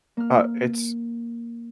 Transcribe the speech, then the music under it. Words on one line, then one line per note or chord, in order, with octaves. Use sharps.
Uh, it's
A#3 F6